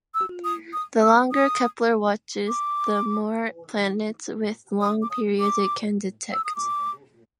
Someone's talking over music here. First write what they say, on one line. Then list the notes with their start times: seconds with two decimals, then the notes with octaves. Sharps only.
The longer "Kepler" watches, the more planets with long periods it can detect.
0.14 E6
0.44 D#6
0.73 D#6
1.02 E6
1.32 D#6
2.48 D6
4.81 D#6
5.02 D6
5.11 D#6
5.40 D6
6.33 E6
6.44 D#6
6.56 D6